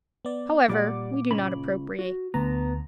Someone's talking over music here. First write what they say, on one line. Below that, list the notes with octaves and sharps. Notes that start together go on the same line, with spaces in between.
However we do not appropriate.
B3 D5
A#2 G3 D5 F#5 D6
C#2 C#4 B5
F#4
D2 B3 A#5